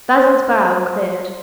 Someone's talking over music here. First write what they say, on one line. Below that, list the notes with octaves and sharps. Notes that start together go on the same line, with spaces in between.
Basil's brow cleared.
C5 C6